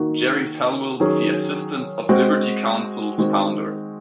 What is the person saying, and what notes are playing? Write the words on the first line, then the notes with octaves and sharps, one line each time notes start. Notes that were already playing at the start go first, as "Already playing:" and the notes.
Jerry Falwell with the assistance of Liberty Counsel's Founder.
Already playing: D#3 A#3 D#4 F#4
D#3 F#3 C#4 G#4
G#3 C4 F#4
D#3 G#3 C4 F#4